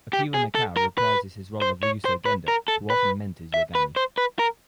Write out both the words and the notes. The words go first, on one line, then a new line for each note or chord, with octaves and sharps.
Akira Nakao reprises his role of Ryuzo Genda who often mentors Yagami.
G4
G#4
A4
A#4
B4
C5
C#5
C5
B4
A#4
A4
B4
E5
B4
C5
B4
A#4